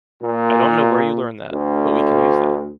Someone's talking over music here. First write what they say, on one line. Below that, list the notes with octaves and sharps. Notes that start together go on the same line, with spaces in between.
I don’t know where you learned that, but we can use that.
A#2
D2